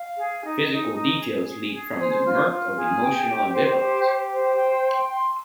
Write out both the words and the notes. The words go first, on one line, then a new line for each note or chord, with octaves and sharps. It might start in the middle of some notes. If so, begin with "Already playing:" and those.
Physical details leap from the murk of emotional ambivalence.
Already playing: F5
G#4
D#4
D#4
D#4
G#4
G#4
G#4
C5
F4
F4
G#4
G5
G4
C5
G4
G4
C5
G5
C6
C6